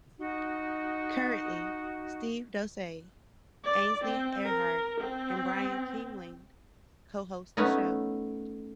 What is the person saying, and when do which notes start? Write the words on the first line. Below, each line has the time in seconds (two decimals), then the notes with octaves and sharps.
Currently, Steve Doocey, Ainsley Earhardt, and Brian Kilmeade cohost the show.
0.17 D#4 F#4
3.64 D5
4.04 C4
4.45 A#4
5.01 C4
7.57 A3 B3 C#4 D#4